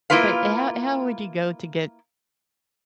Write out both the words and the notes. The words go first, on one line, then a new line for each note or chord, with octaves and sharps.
But ho how would you go to get
A#3 E4 F4 B4 F5